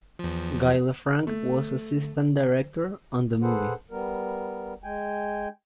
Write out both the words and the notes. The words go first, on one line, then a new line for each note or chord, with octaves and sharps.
Guy Lefranc was assistant director on the movie.
E2 F3
A3
G#4 A4 B4 C5 F#5
G3 B3 A#4
G#3 G5 G#5